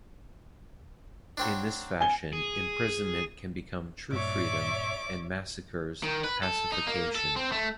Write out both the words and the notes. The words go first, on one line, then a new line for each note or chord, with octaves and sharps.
In this fashion, imprisonment can become "true freedom", and massacres "pacification".
F#3 C4 D4
G#5 G7
G#4
G2 A#2 C#5 D5 E5 D6
D#3
B4
A4
D#4
A#3
A4
C4
A3